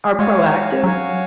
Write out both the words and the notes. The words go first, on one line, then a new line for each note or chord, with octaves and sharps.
are proactive
G#3 F#4 C#5 F5 G#5
F#3 F#4 C#5 F5 G#5